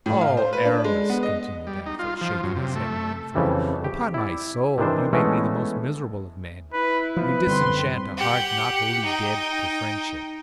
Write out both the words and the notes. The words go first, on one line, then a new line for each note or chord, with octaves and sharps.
Oh, Aramis!" continued Athos, shaking his head mournfully, "upon my soul, you make me the most miserable of men; you disenchant a heart not wholly dead to friendship.
A2
F5
C5
B4
D4
G#3
B3
D#5
G3
D#4
F4
F3
F#2
C3
A3
F2 C#3 E3 G3
G4
E4 D5
C3 D#3 E3 D4 C5
E3 G#3 A3 B3 C#4
E4 B4
F3 B3 B4
F#2 D3 G3 C4 C6
G4 F#5
D#4 G5